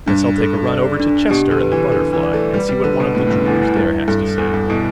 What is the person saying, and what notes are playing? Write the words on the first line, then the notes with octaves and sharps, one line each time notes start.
"Guess I'll take a run over to Chester in the Butterfly, and see what one of the jewelers there has to say."
G2 D4
A4
D5
D4
B2 G4
D3
B4
E3
D3 B4
E3
D5
A3
G3 B4
G3
D3 B4
B2
A2 B4
A2
G2
E2 E4
E2
G2 E4
G2 A4
E2 A4
G2
B2 E4